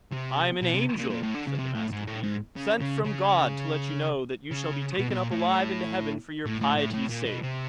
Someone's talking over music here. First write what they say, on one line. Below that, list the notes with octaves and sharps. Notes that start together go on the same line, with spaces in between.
'I am an angel', said the Master Thief, 'sent from God to let you know that you shall be taken up alive into heaven for your piety's sake.
C3
B2
C3
A#2
A#2
A2
D3
C#3
C3
A2
G#2
A2
G#2
C#3
C#3
C#3
C#3
B2
B2
A#2
A2
A2
A2
A2
A2
A#2
B2
C3